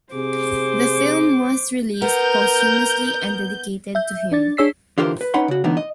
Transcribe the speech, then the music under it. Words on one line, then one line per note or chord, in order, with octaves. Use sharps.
The film was released posthumously and dedicated to him.
C3 G#4 C5 D6
B3 A#4 G6
E5 G6
D4 D5 A6
D4 G#4 C#5 E6 B6 C7
D3 E3 F4 G4 A#4 C5
B4
C#4 D#4 B4 F#5 B5 C6
C#3 F#4
C#2 A2 D3 E3 B3 D#4
D#5